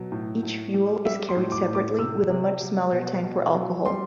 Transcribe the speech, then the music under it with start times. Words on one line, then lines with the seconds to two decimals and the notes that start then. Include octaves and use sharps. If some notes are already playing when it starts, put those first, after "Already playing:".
Each fuel is carried separately, with a much smaller tank for alcohol.
Already playing: B2 F#3
0.12 A2
0.43 A2
0.74 G3
1.05 G3 E5
1.29 C6
1.37 A2
1.52 D6
1.68 A2
1.75 D6
1.99 C3 E6
2.30 C3
2.61 F#3
2.92 B2
3.23 B2
3.54 F#3
3.86 G3 C6